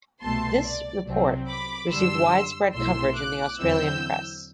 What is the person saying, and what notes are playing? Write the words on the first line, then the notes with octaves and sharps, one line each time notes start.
This Report received widespread coverage in the Australian press.
C2 B2 A3 A5 C6
D5
C2 C3 F#3 C4
B5 D6
F#2 D3 G3 D4 C6 E6
B1 B2 A3 E4 C6 E6
D6 F#6
E2 D3 F#3 C4 E4 E6 G6